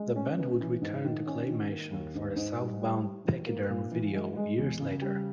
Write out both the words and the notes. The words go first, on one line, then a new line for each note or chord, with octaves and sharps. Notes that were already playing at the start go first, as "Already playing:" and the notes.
The band would return to claymation for the "Southbound Pachyderm" video years later.
Already playing: G#3
C#4
B3
E3
G#2
D#3
C#4
D#3
A#3
D#2
G#2
G#2
G3
G3
G4
E3
A#3
A#2
E3
G#3
G#3
E2
C#3
G3